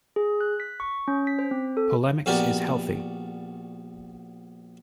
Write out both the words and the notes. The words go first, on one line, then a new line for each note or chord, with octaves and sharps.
Polemics is healthy.
G#4
F#6
B6
C#6
C#4
B6
C5
C4
A4
A#1 B3 F#4 G4 A#4 D5